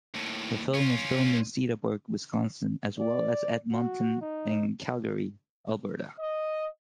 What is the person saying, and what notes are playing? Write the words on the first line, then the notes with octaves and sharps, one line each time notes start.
The film was filmed in Cedarburg, Wisconsin, as well as Edmonton and Calgary, Alberta.
D#2 A2
C#4 F4
D5
F#4
D#4
D#5